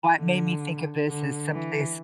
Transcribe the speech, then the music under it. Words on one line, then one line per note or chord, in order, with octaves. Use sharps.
what made me think of this is some place
D3
D3
E3